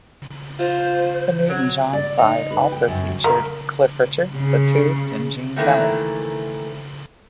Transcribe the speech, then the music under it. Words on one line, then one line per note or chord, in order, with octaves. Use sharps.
The Newton-John side also featured Cliff Richard, The Tubes and Gene Kelly.
F4 C5
F#3
D5
D#4
B4
G5
F#2
A#4
C#3
D#3 E3 A3 A#3 C4